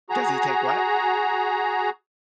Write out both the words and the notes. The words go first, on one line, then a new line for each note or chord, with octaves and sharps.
Does he take what?
F#4 G#4 A#5